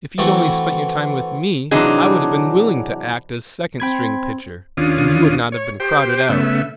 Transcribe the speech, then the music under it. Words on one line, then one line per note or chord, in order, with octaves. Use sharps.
If you'd only spent your time with me, I would have been willing to act as second string pitcher, and you would not have been crowded out.
E3 A3 C4 F#4
C3 E3 F#3 D4 D#4 G#4
C4 G5 B5 G#6
D#2 C#4 D4 F4 D#6
C#5
G4 C5 G5
C#3 A3 B3 E5